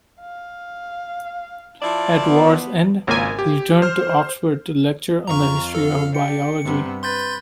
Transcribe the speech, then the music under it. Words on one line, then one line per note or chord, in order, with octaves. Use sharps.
At war's end, he returned to Oxford to lecture on the history of biology.
F5
F3 E4 D5 A5
B3
G#1 C#2 A#3 G#5
G4
C5 F6
F2 F5 A#5 C#6
A4
D4 G4 C#7
G2 C3 B3
B4 C6 G6 A6